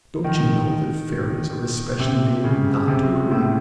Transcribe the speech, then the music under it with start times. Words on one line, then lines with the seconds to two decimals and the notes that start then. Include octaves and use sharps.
Don't you know that fairies are especially made not to worry?
0.24 D#3
1.99 C3
2.44 C#3
2.88 C3
3.31 A2